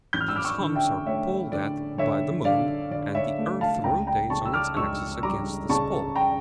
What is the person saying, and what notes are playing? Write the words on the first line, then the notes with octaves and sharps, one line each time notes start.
These humps are pulled at by the moon, and the earth rotates on its axis against this pull.
A1 G6
F6
E6
D6 F6
C#6 E6
D3
E5 G5
A3 C#5 E5
D3 D5
D3 C#5 E5
D3 D5 F5
D3 D5
C#5 E5
A3
F5 A5
C#2 G5 A#5
G5 A#5
C#3 A5 C#6
E6
D6 F6
C#2 C#6 E6
G3 A#5 D6
C#3 A5 C#6
G5 A#5